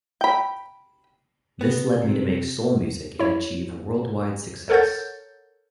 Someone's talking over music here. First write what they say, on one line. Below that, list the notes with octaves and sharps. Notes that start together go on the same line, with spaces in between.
This led me to make soul music and achieve worldwide success.
G5 B5
B3
C3
E4 C#5
A4 A#4 C#5 F#5 G6 A6